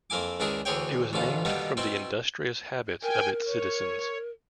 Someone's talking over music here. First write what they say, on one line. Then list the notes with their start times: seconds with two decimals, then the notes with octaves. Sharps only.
It was named from the industrious habits of its citizens.
0.10 F2 A#3 E4 G#5 D6
0.40 C#2 D#3 D4 E4 G#4 A#4
0.65 D2 D3 E3 G#4 C#5 G5
1.13 A1 D2 B2 D3 F4
1.45 B2 D3 D#3 G3 A#3 B3
1.77 B2 C4 E4 C6
3.03 A#4 G5 G#5
3.47 C#5